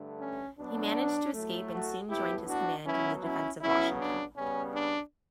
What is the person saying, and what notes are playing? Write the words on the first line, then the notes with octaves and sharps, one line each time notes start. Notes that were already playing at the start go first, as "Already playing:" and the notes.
He managed to escape and soon joined his command in the defense of Washington.
Already playing: G2 D3 A3
C#4
B2 F#3 B3 D4
A2 F#3 A3
F#4 A4
A2 E3 B3 E4 G4
D4 F#4
B2 F#3 B3 C#4 E4
C#4 E4
C#3 F#3 B3 C#4 E4
D4
C#3 G3 B3 C#4
D4